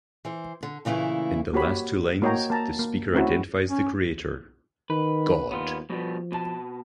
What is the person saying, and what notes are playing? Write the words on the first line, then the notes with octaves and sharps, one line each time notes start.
In the last two lines the speaker identifies the creator: God.
E3 C5
D3
A#2 C#3 E3 A3 E4
A#3 F#4 G4 C#5 B5
A#3 F#4 C#5 D#5 G5 A#5
A#3 A5 A#5
A#3
A3 C4 C#4 E4 F#4
C#4
D#3 B4
D#2 B3 F4
B2 F3 G3 B3
B2 A5